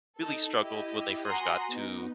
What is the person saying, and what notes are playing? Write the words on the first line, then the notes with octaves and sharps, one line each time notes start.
really struggled when they first got to
D#4 A4
E4 G4 D#5
F#4 F#5 G#5 A#5 C6 D#6
B3 D#4